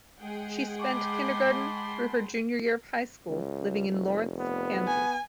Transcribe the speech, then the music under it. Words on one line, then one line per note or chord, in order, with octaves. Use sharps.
She spent kindergarten through her junior year of high school living in Lawrence, Kansas.
G#3 G#4 F#5 G5
A5 B5 C6 D6
C#2
F1
B3
G#5